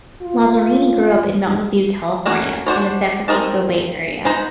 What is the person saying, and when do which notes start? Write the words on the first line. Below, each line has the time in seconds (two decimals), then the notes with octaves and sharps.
Lazzarini grew up in Mountain View, California in the San Francisco Bay Area.
0.22 F4
2.26 A3 A#3 C#4 F#4
2.67 D4 F#4 C5 C#5
3.28 C4 G#4 A#4 D#5 A5
4.25 G#3 B3 D#4 C5 A#5